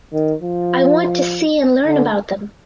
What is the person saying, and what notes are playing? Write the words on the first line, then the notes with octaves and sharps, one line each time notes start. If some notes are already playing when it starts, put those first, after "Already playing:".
I want to see and learn about them.
D#3
F3
D3